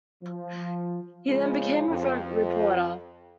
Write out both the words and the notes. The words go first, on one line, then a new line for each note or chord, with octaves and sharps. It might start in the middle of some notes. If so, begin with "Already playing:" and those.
He then became a front reporter.
F3
C#3 F3 G#3
F2